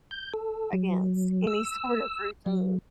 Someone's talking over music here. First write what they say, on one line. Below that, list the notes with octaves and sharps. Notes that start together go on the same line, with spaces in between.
against any sort of routine
G6
A4
F#3
E6
F#3